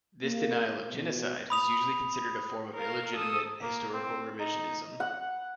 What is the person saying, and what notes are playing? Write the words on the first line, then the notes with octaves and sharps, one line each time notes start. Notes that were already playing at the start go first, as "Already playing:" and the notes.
This denial of genocide is usually considered a form of illegitimate historical revisionism.
A#3
B2
B5 D#6 F7
A#4 F5
A4 D#6
A#3
C4
D#4
F#5